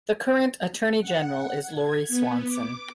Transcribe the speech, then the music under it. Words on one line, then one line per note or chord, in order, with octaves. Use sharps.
The current Attorney General is Lori Swanson.
F#5
G#6
B3
D6